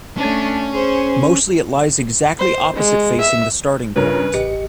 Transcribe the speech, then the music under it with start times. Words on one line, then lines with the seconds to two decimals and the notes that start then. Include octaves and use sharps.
Mostly it lies exactly opposite facing the starting point.
0.17 A3 C#4 D4
0.72 G#4 C5
2.39 C5
2.75 G#3
3.20 E5
3.96 G2 C#3 F4 A#4 B4 C#5
4.34 A1 G4 D#5 C#7